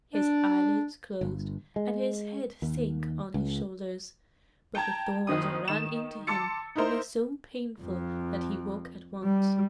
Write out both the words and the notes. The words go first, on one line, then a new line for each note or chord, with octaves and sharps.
His eyelids closed, and his head sank on his shoulders, but the thorns ran into him and were so painful that he awoke at once.
D4
G1
G#3
D#2
C#2
G5 A5 A#5 G#6
F#1 D#3 C4 D#6
D#3 E7
A5 C6 D6 E6 A6 C#7
D#4 E4 A#4 C5
F2
G3